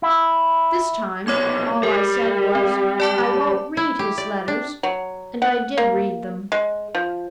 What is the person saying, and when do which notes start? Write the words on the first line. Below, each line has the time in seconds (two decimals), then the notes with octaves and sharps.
This, time, all I said was, 'I won't read his letters!' And I did read them.
0.02 E4
1.27 C2 B2 C#5 D6 G#6
1.83 G3 A#4
2.55 C4
3.00 D5 A5 D6
3.77 E4
3.99 G4
4.18 D5
4.48 D4
4.83 F#3
5.42 F#5
5.78 A#3
6.52 G#3
6.95 F3